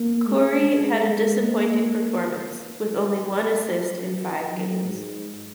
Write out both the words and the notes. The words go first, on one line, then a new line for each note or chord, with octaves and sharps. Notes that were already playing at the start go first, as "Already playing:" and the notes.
Kurri had a disappointing performance, with only one assist in five games.
Already playing: A#3
G#3
G#3
A#3
F#3
G#2